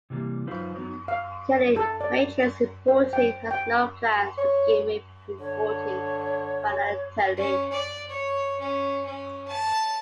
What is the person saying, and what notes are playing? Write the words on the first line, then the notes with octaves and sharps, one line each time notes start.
Currently Matrics Importing has no plans to begin re-importing Vana Tallinn.
C3 E3 G3 A#3
F#3 D#4 F4 B4 C5 F5
F#3 B3 D#4
F5
A4
D5
C5
G5
G5
C#5
D3 C#5
C#4
D5
C#5
C#4
C#4
A5